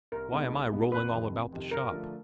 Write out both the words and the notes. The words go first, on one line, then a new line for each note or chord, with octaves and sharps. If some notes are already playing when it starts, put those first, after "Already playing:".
Why am I rolling all about the shop?
C2 A#4
B2 G#3 B3 D#4
C2
B2 G#3 B3 D#4
F1 B4
F2 C3 D#3
F1
F2 C3 D#3
G2 A#4
D3 F3 A3 D4